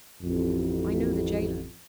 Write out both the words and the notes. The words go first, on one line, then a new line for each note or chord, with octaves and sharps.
I know the gaoler.
A1 F2